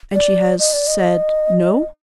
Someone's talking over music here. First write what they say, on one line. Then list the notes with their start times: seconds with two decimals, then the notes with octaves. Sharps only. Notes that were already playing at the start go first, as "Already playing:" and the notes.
"And she has said No?"
0.14 D5
0.59 D#5
0.73 D5
0.87 D#5